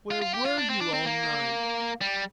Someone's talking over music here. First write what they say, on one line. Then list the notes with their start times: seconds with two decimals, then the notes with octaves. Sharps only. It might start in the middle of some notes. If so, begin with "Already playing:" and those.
"Where were you all night?"
0.11 F4
0.22 F4
0.34 G4
0.45 F4
0.58 D4
0.69 C4
0.81 D4
0.94 C4
1.06 A#3
2.01 G3